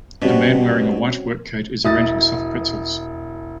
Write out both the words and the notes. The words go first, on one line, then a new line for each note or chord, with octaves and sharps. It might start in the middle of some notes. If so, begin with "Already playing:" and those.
A man wearing a white work coat is arranging soft pretzels.
G2 B2 C4 C#4 F#4
E1 E4 E5 D#6 A6